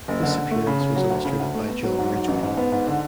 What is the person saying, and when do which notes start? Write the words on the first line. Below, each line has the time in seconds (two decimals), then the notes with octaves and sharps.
This appearance was illustrated by John Ridgway.
0.08 F#1
0.23 D3
0.38 D3
0.51 A3
0.67 C#3
0.81 C#3
0.96 F#3
1.10 D2
1.25 C#3
1.39 D2
1.55 A3
1.68 B3
1.83 F#3
1.98 G#2
2.12 F#3
2.28 A1
2.43 G#2
2.57 B3
2.72 G#2
2.87 D3